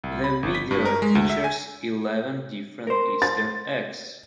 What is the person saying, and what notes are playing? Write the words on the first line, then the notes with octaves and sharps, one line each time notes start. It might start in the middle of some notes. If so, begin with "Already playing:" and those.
The video features eleven different Easter eggs.
C2
B5
G1
B6
G2
A#4
G#3
D2
E5
G#5
A#4 C5
A6